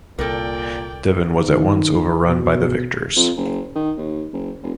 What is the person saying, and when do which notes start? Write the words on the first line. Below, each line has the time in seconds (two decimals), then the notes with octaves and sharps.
Devon was at once overrun by the victors.
0.19 C2 A#2 A4 A#4 D5 G5
1.41 D#3
2.26 B2
3.17 F2
3.37 F#1
3.75 D#3
3.98 D#2
4.33 F#1
4.63 F1